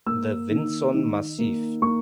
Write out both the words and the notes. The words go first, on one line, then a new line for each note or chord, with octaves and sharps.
The Vinson Massif.
A#3 E6
D#3
D#3
A#3
A#3 C#6